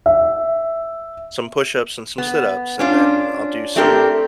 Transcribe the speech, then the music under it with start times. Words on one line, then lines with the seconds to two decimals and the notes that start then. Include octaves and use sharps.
some push-ups and some sit-ups, and then, I'll do some
0.06 E5
2.18 B3
2.79 C#4 D4 F4
3.76 A3 C4 D4 G4 A4 A#4